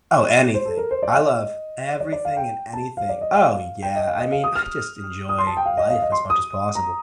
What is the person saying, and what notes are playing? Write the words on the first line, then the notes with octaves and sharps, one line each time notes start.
Oh, anything. I love everything and anything Oh, yeah, I mean, I just enjoy life as much as possible.
C5
A4
A#4
C5
D5
F5
D#5
D5
D5
F5
G5
A5
F5
D5
D#5
F5
G5
D#5
F5
D#5
F5
D#6
F6
D#6
C6
A5
G5
F5
D#5
F5
D#5
C6
D#6
A#5